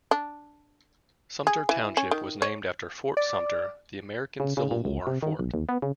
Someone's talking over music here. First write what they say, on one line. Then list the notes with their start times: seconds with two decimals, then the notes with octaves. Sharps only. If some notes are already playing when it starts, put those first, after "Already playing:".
Sumter Township was named after Fort Sumter, the American Civil War fort.
0.11 D4
1.47 G#4
1.69 E3
1.97 C#4
2.11 D#3
2.42 C#5
3.17 D5
4.40 C#3
4.57 C#3
4.71 A#2
4.85 C#2
5.07 C3
5.23 D#3
5.39 B1
5.54 D#2
5.69 B3
5.82 C#3